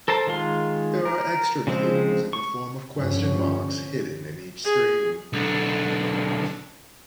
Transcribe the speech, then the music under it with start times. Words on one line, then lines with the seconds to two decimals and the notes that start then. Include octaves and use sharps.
There are extra clues in the form of question marks hidden in each screen.
0.08 A4 A#4 C5 A5
0.27 D#3 G#3 F4 C6
1.05 A#4
1.67 C#3 F3 G#3 C4
2.33 C#6
2.95 F1 G2 D3 F3 C#4
4.64 G#4
5.33 B1 D3